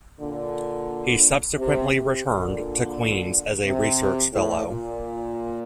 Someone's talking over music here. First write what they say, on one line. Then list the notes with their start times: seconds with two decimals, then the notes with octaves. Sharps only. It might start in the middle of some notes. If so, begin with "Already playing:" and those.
He subsequently returned to Queens' as a research fellow.
0.20 A#2 D3
1.57 C3
1.92 C3
2.26 A#2 D3
3.63 C3
4.32 A2
4.66 A#2